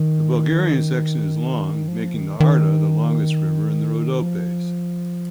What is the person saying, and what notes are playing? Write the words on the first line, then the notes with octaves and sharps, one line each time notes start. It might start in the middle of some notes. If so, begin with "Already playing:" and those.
The Bulgarian section is long, making the Arda the longest river in the Rhodopes.
Already playing: D#3
F3
D#3
D#3
F3